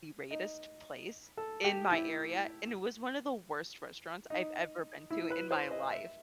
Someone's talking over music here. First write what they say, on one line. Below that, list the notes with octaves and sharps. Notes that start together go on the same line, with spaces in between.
highly-rated place in my area, and it was one of the worst restaurants I've ever been to in my life
D#4
A4
G4
E4
D#4
E4
B4
C5
D#5
E5